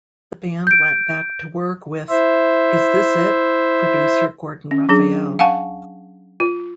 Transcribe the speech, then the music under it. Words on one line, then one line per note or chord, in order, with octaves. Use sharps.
The band went back to work with "Is This It" producer Gordon Raphael.
G6 D7
E4 C5 E5
C#4
F#3 D4 G#4
F5 F#5 G#5 A5 C#6
F4